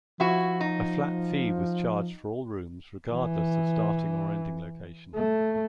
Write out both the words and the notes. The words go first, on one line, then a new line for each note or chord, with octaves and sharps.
A flat fee was charged for all rooms, regardless of starting or ending location.
F3 E4 F#4
D#4
E3
A3